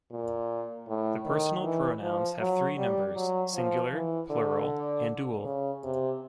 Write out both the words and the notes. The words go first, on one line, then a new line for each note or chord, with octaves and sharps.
The personal pronouns have three numbers: singular, plural and dual.
A#2
A2
D#3
E3
F3
F#3
G3
F#3
F3
E3
D3
C#3
C3